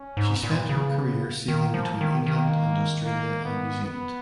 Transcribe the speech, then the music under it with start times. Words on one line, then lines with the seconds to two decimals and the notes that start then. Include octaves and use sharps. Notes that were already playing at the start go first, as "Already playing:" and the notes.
She spent her career sailing between England and Australia and New Zealand.
Already playing: C#4
0.17 G#2
0.30 B3
0.43 A#2
0.69 C#3
1.48 D#3 A#3
1.74 F3
2.01 D#3
2.26 D#3 A#3
3.05 A#3
3.44 B3
3.83 B3